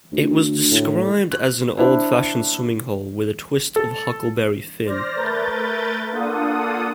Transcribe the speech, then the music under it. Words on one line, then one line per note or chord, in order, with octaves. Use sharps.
It was described as an "old-fashioned swimming hole" with "a twist of Huckleberry Finn".
D2
A2
F#6
D4 E4 C5
A4
C5 D5 F6 A#6
A3 A#4 B4 G6 A6
A#3 D4 F4 A4 F#5 D#6